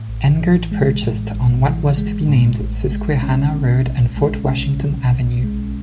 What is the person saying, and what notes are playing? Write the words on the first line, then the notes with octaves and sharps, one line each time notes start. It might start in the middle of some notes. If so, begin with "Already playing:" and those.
Engard purchased on what was to be named Susquehanna Road and Fort Washington Avenue.
Already playing: A2
A1
E3
G#3
A2
A1
E3
G#3
A2
A1
G#3
C#4
B2
B1
G#3
C#4
B2
B1
G#3